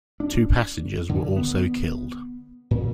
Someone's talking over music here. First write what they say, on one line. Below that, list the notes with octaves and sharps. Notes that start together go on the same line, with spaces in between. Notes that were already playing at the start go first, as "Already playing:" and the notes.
Two passengers were also killed.
D4
D3
B3
A#2